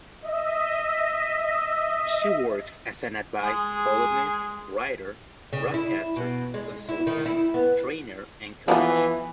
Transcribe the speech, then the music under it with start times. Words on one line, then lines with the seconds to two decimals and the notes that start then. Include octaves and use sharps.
She works as an advice columnist, writer, broadcaster, consultant, trainer and coach.
0.22 D#5 E5
3.43 G#3 G#4
5.53 C#3
5.74 E4
6.16 B2
6.54 G#3
6.89 E4
7.07 D#3
7.26 E4
7.54 B3
8.68 E3 F3 A#3 B3